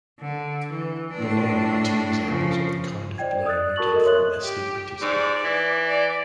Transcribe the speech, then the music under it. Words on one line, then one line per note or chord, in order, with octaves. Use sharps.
Below are two examples of the kind of blur you get from astigmatism.
D3
E3
A2 D4
C#3 F3
C5 D5 D#5 G5 G#6
D5 D#6 E6 F#6 A6
F#4 A#4 A5 C#6 A6 F#7
A4 A#4 D#5
C#5 E5 C6 D#6 F#6 F#7
G4
G#2 D5
E3
D5